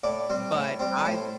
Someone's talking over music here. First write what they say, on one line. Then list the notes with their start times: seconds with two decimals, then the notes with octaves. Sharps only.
But I
0.03 A2 D5
0.30 G3 C4
0.55 A2
0.79 G3 C4
0.99 A4
1.05 A2 C5